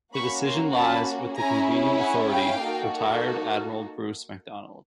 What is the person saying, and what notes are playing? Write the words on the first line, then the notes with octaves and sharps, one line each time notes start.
The decision lies with the Convening authority, retired Admiral Bruce MacDonald.
A#3 C#4 F#4 B5 C#6
A#5 C6
A5 B5
C#4 E4 G#4 G#5 A#5
F#5 G#5
F5 G5
A#3 D#4 F#4 A4